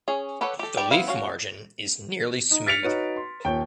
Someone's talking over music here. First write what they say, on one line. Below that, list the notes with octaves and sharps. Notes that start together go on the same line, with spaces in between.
The leaf margin is nearly smooth.
C#4 G#4
G4 A4 B4 C#5 F#5
G4 A4
G3 G4 D5 G5
B3 C4 E4 F5
C#4 F#4 F5
D#4
F6 A6 B6 C#7 D7 F7
D#4 F#4 B4 C#5
C6
D#1 C#5 G5